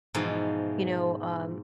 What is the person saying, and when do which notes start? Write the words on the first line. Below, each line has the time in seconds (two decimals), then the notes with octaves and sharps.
you know, um,
0.14 G#2 B2 E3 F3